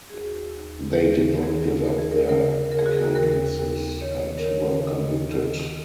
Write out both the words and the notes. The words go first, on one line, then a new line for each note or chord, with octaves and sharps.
They did not give up their accomplices and were convicted.
G#4
D#2 F#4
D#2
D#2
D#2 G#4
D#2 A#4
G#4
A#4
C#3 A#4
C#3 A#4
G#4
F#4
G#4
D#2 A#4
D#2
D#3 C#5
A#4
D#3 C#5
D#2 D#5
D#3